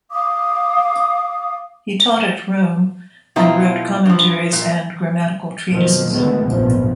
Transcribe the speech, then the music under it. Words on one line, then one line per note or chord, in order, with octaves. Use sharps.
He taught at Rome, and wrote commentaries and grammatical treatises.
F5 D6 D#6
B2 E4 F4 G4 A#5
G2 F3
A#2
F#2 B2 D#3 F3 A#3
D2 D3 D#3 G#3 A3 B3
F1 A#1 E2 G#2 B2 F3